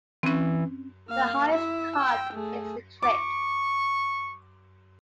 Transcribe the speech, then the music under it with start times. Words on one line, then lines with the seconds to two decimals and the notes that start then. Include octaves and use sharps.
The highest card takes the "trick".
0.23 E3 C4 C#4
1.08 A#3 F5
1.53 E4 E5
1.96 G5 E6
2.33 A3 G#4
3.02 C#6 D6